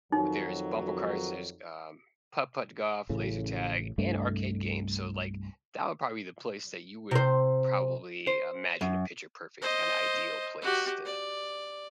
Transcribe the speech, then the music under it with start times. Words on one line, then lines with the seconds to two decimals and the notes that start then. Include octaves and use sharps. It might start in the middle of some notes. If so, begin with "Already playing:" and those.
w there's bumper cars, there's, um, putt-putt golf, laser tag, and arcade games, so, like, that would, probably, be the place that you would, probably, imagine a picture perfect, kinda, ideal place to s
0.12 F2 D#3 F#3 D#4
3.09 A1 A2 C#3
3.98 C2 G2 A3
7.11 C3 C5
8.27 C5
8.81 F#2
9.61 C5 D#5
10.62 F#4 G4
11.05 D5